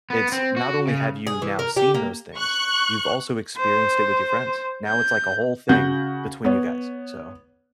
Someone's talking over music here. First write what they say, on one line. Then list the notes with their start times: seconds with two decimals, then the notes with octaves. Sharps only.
it's not only have you now seen those things, you've also experienced it with your friends. Now, it's like a whole thing between you guys, so
0.10 B3
0.32 C4
0.57 F#4
0.87 C#3
1.27 G#4
1.42 E3
1.59 A#4
1.76 G4
1.95 A#3
2.36 C#6 F#6
3.58 C5
4.87 G6
5.69 C#3 F#4 F#5 G6
6.45 B3 C#5